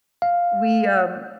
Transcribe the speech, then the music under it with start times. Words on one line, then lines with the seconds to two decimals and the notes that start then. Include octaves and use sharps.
We, um
0.22 F5